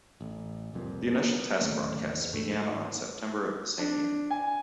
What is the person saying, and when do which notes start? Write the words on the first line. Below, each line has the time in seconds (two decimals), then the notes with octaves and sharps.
The initial test broadcasts began on September of the same year.
0.21 A1
0.74 F1 C2 F2 A#2
1.15 A#3 B3
1.61 D1 D#2 C#3 A3
2.15 E2
2.33 D2 G#2 A3
3.79 D4
4.31 G#5